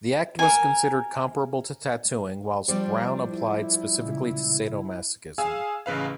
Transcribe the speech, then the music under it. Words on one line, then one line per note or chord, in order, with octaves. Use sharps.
The act was considered comparable to tattooing, whilst "Brown" applied specifically to sadomasochism.
A#4 G#5
F3 G3 D4 G4 C5
E4
A#2 C#3 G#3
G#4 F5 G#5 E6
A1 C#3 B4 F5